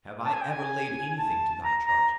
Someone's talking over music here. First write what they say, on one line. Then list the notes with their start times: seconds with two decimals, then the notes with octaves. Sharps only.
Have I ever laid anything to Thy charge?
0.24 A5
0.33 G#5
0.41 G5
0.51 G#5
1.17 A5
1.63 A#5
1.86 A#5